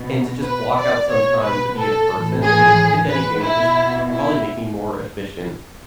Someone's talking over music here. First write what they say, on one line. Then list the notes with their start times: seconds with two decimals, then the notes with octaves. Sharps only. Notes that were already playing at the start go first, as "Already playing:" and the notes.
and to just block out some time to be a person, and it, if anything, it would just probably make me more efficient
Already playing: B2
0.43 B4
0.77 B2 D5
1.10 C#5
1.43 B4
1.77 A4
2.10 A2 E3
2.43 G#4
3.10 B4
3.43 B2 E4
4.10 E4